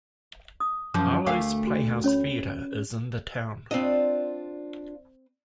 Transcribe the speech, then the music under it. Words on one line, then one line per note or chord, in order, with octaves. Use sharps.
Harlow's Playhouse Theatre is in the town.
D#6
F#2 F3 D6
D2 A3 A#4 F5 G5 D6
F#4
C#4 C#5 B5
C4 D4 F4 D#5